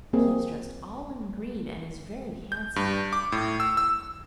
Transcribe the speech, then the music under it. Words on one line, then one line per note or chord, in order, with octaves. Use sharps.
'He is dressed all in green, and is very handsome.
A#3 C4 G#4
G6
G2
D6
A2
E6
E6